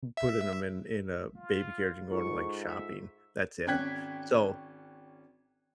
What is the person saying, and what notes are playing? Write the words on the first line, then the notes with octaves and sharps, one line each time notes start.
putting ‘em in in a baby carriage and going to, like, shopping. That's it. So,
E5
F4
G#2 F4 A4 C#6
E5
G#1 C#4 G5 F#6 G#6 B6